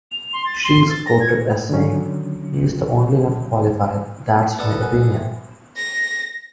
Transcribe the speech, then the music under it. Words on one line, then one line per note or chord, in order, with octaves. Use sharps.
She is quoted as saying, He's the only one qualified-that's my opinion.
F7
C6
A6
C6
A6
A#6
G#6
D3 D#3 F#3 C#4
B3 A4 D5 B5 F6
F#3 F#4 A#4 G#5 F#6
C5 E5 G5
A#6